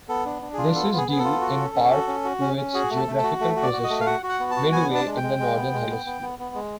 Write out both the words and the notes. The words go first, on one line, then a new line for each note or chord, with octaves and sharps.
This is due in part to its geographical position; midway in the Northern Hemisphere.
B3 A4
D4
D4
F4 G#4
B3 A4
B3
G#4
B3 G#4
A4
F4
F#4
C#4
C#4
F#4
C#4
F#4
C#4
C#4
F#4 G#4
A3
A4
A3
A4
F#4
A3
F#4
D5
F#4
D#5
A3
F5
F#4 F#5
F#4
F#5
B3
A5
F#4
B3 G#5
D4
A5
G#3
G5
G#3
G#3
B3
G#3
B3
B3
B3
B3
G#3